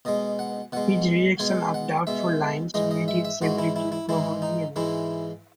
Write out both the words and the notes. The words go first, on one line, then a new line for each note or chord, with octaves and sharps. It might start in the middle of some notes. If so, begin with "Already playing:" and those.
His rejection of doubtful lines made his severity proverbial.
B2 G#3 D#5
F#5
B2 G#3 F#5
B2 G#3 G#5
F#5
B2 G#3 E5
G#2 E3 G#3 D#5
D#5
E5
E5
G#2 E3 G#3 F#4
E4
E4
E4
G#2 E3 G#3 E4
D#4
G#2 E3 G#3 E4